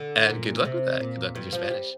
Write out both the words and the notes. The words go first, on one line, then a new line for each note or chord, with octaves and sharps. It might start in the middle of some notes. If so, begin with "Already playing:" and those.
And good luck with that. Good luck with your Spanish.
Already playing: D3
A#2
C3
A#2
G2
F3
G3